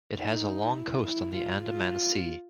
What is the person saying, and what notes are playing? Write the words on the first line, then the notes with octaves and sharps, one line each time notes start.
It has a long coast on the Andaman Sea.
D#4
E4
E4
F4
F4